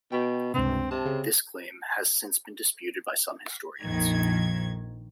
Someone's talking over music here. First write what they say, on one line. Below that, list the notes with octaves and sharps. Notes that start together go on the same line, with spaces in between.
This claim has since been disputed by some historians.
B2 G5
C#2 G2 C3 C4
C3 A5
C#3
A#1 F2 D#3 G#6